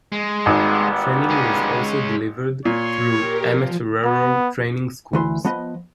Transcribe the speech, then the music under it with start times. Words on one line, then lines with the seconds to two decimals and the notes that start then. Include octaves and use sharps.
Training was also delivered through amatorero training schools.
0.12 G#3
0.46 G#1 G3 A#3 B3
1.30 G#3 C#4
2.65 A#2 C#5 C6
3.06 G4 A#4
3.47 F3
4.04 B3
5.13 D2 E3 C6
5.45 F3 B3 D#5